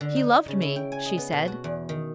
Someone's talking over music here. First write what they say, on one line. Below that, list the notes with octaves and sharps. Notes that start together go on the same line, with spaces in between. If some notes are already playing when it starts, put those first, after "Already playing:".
"He loved me," she said.
D3
D#4
C#3
E4
G5
G#5
D#5
B3
B2
F#4
E2
D#3